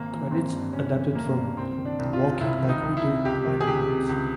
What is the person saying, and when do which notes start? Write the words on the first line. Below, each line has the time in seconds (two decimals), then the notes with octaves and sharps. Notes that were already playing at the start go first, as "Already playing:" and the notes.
Credits adapted from "Walking Like We Do" liner notes.
Already playing: G#1 A#3
0.11 E3
0.31 G#1 C4
0.52 G2
0.73 G#1 C#4
0.95 E3
1.15 G#1 A#3
1.36 G2
1.57 C2 C4
1.78 D#3
1.85 D4
1.99 C2
2.13 F4
2.21 C3
2.41 C2 E4
2.62 D#3
2.69 D#4
2.83 C2
2.97 E4
3.04 C3
3.25 C#2 G4
3.46 D#3
3.61 G#4
3.67 C#2 G4
3.88 C3
4.09 C#2